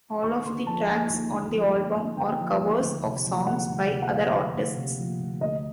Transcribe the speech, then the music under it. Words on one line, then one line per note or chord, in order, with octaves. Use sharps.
All of the tracks on the album are covers of songs by other artists.
D#2 C#6
D3 C6
F3 A5
D#2 G#5
D#2
D3
F3
D#2
D#2
D3 G5
F3
D#2
D2
C3
F3
D2 F#5
D2
C3
F#5
F3 F5
D2
D2
C3
F3
D2
D2 D#5